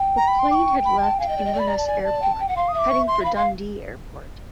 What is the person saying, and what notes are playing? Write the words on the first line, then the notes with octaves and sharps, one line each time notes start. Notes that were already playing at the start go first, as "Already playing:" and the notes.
The 'plane had left Inverness airport heading for Dundee airport.
Already playing: G5
A#5
B5
C6
D6
C#6
B5
A5
F5 G#5
D#5 G5
D5
D#5
D5
B5
A#5
A5
G#5
A5
G5
G5
F#5
F5 C6
D#6
E5
D6
C#6
C6
E5
F5 B5
F5 C6